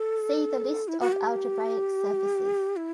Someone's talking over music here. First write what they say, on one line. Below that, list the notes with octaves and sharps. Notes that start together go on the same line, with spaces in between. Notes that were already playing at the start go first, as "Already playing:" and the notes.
See the list of algebraic surfaces.
Already playing: A4
E4
F#4
G4
E4